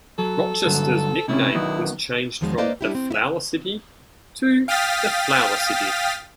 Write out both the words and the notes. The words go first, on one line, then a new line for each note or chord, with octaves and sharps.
Rochester's nickname was changed from the Flour City to the Flower City.
F#3 A4
G2 D3 F#3
C3 A3 C#4 E4
D#3 F#3 B3
E2 D#3 F3 F#3 G#3
A#3 B4 C5 D5 D#5 F5
G3 D4 E4 G4
C4
E4 E5
F5 G5 D#6 F6 A6 B6